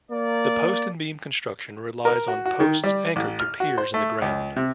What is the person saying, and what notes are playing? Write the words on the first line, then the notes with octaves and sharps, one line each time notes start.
The post and beam construction relies on posts anchored to piers in the ground.
A#3 D5
A#4
F#4
F#4
D#3
G3
A1
F6
F#4
C5
A3
C#2
C3